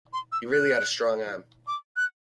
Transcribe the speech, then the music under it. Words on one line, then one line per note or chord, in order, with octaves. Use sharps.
He really had a strong arm.
C6
E6
F#6
D6
F#6